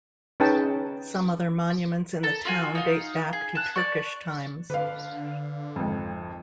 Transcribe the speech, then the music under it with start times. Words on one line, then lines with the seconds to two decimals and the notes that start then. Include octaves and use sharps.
Some other monuments in the town date back to Turkish times.
0.40 C#4 D#4 G#4 B4 G5 A5
2.23 A4 A5 A#5
2.45 F4 F#4 G#5
2.75 D#4 F5
3.33 G#4
3.55 A5 F#6
3.76 D5 C#6
4.70 D3 B4 F5
5.76 G#1 F2